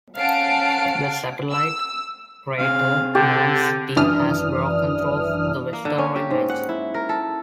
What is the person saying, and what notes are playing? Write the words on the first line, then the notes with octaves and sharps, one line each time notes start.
The satellite crater Nernst T has broken through the western rim edge.
C#4 F5 F#5 A5 C7 D7
E6
C3 C4 G#4 F5
D3 G4 A5
G#1 F#2 E3 D4 D#6 F6
A#3
D3
C#4
G4
G#2
F#5
E4
A#4
A4